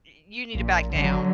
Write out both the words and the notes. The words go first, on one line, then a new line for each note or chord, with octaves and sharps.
you need to back down
A#1 A#2
G#1 D3 F#3